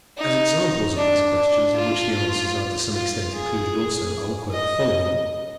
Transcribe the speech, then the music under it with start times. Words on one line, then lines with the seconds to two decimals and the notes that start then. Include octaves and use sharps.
As examples of these questions, in which the answers are to some extent included also, I will quote the following.
0.18 D#4
0.96 D4
1.36 D4
1.75 F4
2.93 F4
3.33 G#4
4.51 D#5